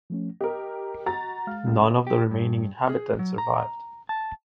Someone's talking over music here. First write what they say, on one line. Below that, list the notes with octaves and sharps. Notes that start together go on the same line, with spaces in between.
None of the remaining inhabitants survived.
F3 A3 C#4
G4 A#4 D#5
F#4 A#5 A6
G#3 F5 F6
C#2
G4
G2
G#4
F#3
A#5
A5